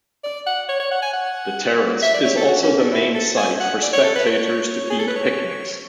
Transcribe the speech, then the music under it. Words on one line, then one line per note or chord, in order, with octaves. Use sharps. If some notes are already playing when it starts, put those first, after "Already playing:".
The terrace is also the main site for spectators to eat picnics.
D5
F#5
C#5
C#5
F#5
G#5
F#5
E5
D5
C#5
A4
F#4
C#4
D4
E4
A4
G#5
F#5
D5
C#5
A4
B4
C#5
G#4
A4
B4
C#5